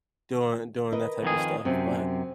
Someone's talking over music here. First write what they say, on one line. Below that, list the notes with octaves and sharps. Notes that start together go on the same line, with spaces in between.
doing doing that type of stuff, but
A#4 B4 D#5
F2 D#3 G#4
F#2 C3 C4